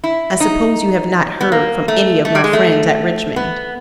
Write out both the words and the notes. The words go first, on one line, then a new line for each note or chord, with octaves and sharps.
I suppose you have not heard from any of my friends at Richmond.
E4
D#4
B3
A#3
A3
A3
G3
G#3
A3
B3